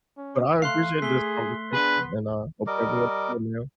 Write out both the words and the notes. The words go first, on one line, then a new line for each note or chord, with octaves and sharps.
But I appreciate this conversation, and I hope you have a wonderful day, man.
C#4
A3 F5 C6 F#6 C7
A3 G#4 B6 G7
B3 D4 G#4 B4
G3 A#4 D#5 D6